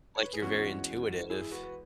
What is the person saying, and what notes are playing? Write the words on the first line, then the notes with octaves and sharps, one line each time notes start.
like you're very intuitive
C#5
B4
G#4
E2 E3 G#3 C#4 F#4
E4 G#4
F#4 B4
B4